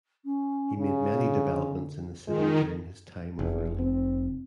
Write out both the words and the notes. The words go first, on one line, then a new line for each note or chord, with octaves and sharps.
He made many developments in the city during his time of ruling.
C#4
C#3 C#4
D3
D#3 G#3 F4
F1 E2
C4